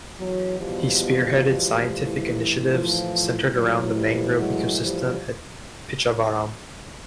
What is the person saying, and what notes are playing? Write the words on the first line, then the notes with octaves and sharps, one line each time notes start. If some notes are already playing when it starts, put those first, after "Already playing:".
He spearheaded scientific initiatives centered around the mangrove ecosystem at Pichavaram.
E2 B2 F#3
F3 G3
A2 E3
F3
A2 E3 F#3
F3 G3
F#3 G#3
F3 G3